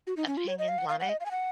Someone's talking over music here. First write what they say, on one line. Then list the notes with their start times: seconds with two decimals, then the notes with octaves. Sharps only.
Opinions on it.
0.07 F#4
0.17 D#4
0.27 C#4
0.37 F4
0.48 C#5
0.59 D#5
0.68 F5
0.78 F#5
0.89 F5
1.00 F#5
1.09 D#5
1.20 F5
1.26 G#5
1.31 F#5